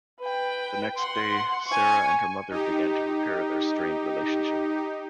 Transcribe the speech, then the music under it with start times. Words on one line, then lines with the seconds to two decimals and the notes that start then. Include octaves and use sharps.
The next day, Sarah and her mother begin to repair their strained relationship.
0.20 B4 G5
0.96 F#5 C6
1.67 G#5 C#6
2.50 D#4 G4